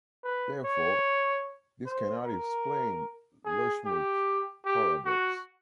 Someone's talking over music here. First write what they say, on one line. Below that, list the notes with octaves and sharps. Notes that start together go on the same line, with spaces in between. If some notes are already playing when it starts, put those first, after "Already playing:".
Therefore, this cannot explain Loschmidt's paradox.
B4
C#5
C5
A#4
G#4
G4
G4
F#4